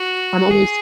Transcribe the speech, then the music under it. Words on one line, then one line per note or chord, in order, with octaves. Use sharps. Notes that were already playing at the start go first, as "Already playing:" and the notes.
I'm almost
Already playing: F#4
G#4